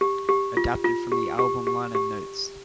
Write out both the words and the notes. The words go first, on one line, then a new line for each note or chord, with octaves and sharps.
Adapted from the album liner notes.
G4
G4
F4
F4
G4
G4
G4
G4